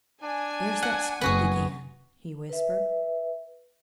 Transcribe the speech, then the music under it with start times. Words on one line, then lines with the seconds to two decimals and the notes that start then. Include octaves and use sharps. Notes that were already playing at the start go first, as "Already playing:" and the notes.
"There's that squeak again!" he whispered.
0.23 D4 G#5
0.82 F#5
1.21 F#1 B3 F#4 G#4
2.49 B4 E5